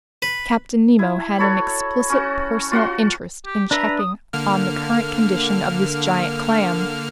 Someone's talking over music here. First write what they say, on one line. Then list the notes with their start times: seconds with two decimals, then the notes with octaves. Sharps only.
Captain Nemo had an explicit personal interest in checking on the current condition of this giant clam.
0.22 B4
0.99 E4
1.38 F#4 A4 C#5 B5
2.10 C#4 F#4
2.72 F4 F#4 F#5 C6
3.46 G4
3.71 D4 B4 E5 A#5
3.99 D#6
4.33 D3 A#3 F6